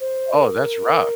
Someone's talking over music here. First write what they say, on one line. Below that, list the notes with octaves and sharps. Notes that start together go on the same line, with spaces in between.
Oh, that's rough.
C5
A#4